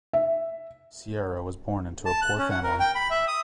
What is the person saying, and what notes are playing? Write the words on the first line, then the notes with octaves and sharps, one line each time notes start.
Sierra was born into a poor family.
E5
A5
F#6
C#4
F#5
A#4
G5
B5
E5
D#6